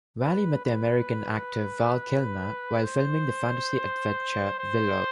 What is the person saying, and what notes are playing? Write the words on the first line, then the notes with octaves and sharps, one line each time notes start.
Whalley met the American actor Val Kilmer while filming the fantasy adventure Willow.
B4
B4
C5
C5